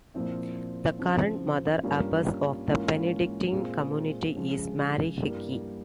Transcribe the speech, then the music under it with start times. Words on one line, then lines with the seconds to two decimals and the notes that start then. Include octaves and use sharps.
The current Mother Abbess of the Benedictine Community is Marie Hickey.
0.14 A#2 F3 C4 E4
0.99 C#3 F3 C4
1.83 G2 G3 A#3 C#4 F4
2.68 G#2 E3 A#3 C#4 F4
3.51 A#2 G#3 C4 F4
4.37 C#3 F3 G#3
5.21 G2 G3 A#3 E4